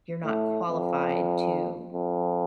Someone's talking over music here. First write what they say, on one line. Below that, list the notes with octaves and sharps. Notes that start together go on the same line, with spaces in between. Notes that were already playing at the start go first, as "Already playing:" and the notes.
you're not qualified to
A2
F2
F2